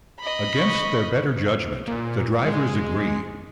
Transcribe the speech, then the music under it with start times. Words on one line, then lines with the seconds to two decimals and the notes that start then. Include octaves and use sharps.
Against their better judgement, the drivers agree.
0.20 D#5 B5
0.58 C#6
1.88 A#2
2.45 G#3